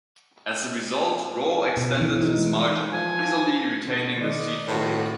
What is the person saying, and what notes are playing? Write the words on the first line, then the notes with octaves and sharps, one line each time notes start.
As a result, Rau extended his margin, easily retaining the seat for Labor.
B2
E3
D#4
G#3
F3 G#5
B2 D3
D#3 D5 D#5
A2 D#3 F4 F#4